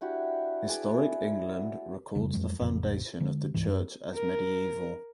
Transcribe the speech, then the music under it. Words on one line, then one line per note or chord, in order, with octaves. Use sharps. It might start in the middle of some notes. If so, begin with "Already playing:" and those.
Historic England records the foundation of the church as medieval.
D4 E4 F#4 G4
E4 G#4 B4 D5
F#1 F2 C#3 G3
F2 F#3 G#3
A1 F2 C#3
D3 G#3
C#2 G#2 E3
F#2
A#4